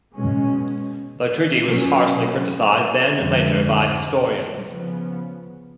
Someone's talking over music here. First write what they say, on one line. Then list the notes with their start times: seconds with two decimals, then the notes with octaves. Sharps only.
The treaty was harshly criticised, then and later, by historians.
0.12 B2 G#3 C#4
1.63 B2 F#3 C#4
3.13 F2 D3 G#3
4.63 C#3 F3 B3